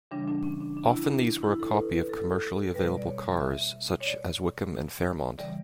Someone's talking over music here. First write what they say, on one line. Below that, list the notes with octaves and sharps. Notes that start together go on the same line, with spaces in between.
Often these were a copy of commercially available cars, such as Wickham and Fairmont.
C#3 E3 G3 D4
D4
C#4
D4
D4
E4
D4
E4
A4
B4
B4
A4
B2 G3 B4
D5
C#5
E5
C#5
D5
C#3 E3 G3 D5